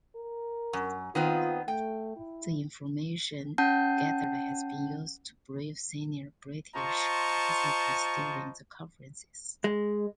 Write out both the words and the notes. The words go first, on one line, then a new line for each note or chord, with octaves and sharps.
The information gathered has been used to brief senior British participants during the conferences.
A#4
F#2
D#3 B3 C4 F4
A3 G5
E4
C#4 F#5 A5 G6
F4 C5 D#5 A5 A#5 C#6
G#3